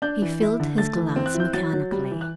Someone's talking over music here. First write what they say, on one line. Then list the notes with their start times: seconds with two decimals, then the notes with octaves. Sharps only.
He filled his glass mechanically.
0.02 D4 G6
0.22 E3
0.41 E4
0.60 D3
0.78 A3 A6
0.96 E3
1.16 C4
1.26 F#6
1.34 E4
1.40 G6
1.53 F#3 A6
1.73 F#3
1.92 G3
2.11 E3
2.21 F#6